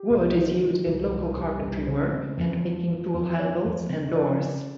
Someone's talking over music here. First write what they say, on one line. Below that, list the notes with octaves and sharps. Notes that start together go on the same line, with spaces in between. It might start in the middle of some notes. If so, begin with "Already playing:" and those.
Wood is used in local carpentry work and making tool handles and doors.
Already playing: G4
C2
D#3
D#3
C2
C2 C5
C2
C2
C#3 C5
C#3
F2
F3
F3
F2
F3 C#5
F2
C#3
F3 D5
C#3